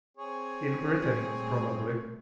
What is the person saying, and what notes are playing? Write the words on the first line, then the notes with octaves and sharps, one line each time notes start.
"In Brittany, probably."
C4 G#4 C#5
A#2 G3 A3